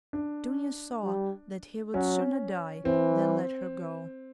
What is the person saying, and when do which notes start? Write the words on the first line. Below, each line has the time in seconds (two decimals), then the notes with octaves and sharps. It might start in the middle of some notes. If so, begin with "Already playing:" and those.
Dounia saw that he would sooner die than let her go.
0.13 D4
1.03 G3
1.94 F#3 C#4
2.85 E3 C4